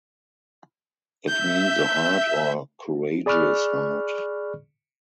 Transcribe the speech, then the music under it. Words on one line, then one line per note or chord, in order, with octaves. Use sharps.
It means a heart or courageous heart.
E5 G6
G#4 D5 B5 C#6 F6 F#6